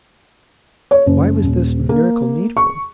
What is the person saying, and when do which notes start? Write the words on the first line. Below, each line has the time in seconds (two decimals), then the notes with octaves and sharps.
Why was this miracle needful?
0.91 C#5
1.06 F#1
1.43 D#1
1.89 A#3
2.57 C#6